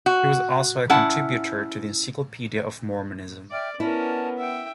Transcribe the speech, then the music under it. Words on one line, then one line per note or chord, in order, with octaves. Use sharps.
He also was a contributor to the "Encyclopedia of Mormonism".
F#4
C#4 E4 F#5 A5
D5 E5 G5 F6
B3 C#4 E4 A#4 D5 A5
E5 F#5 G5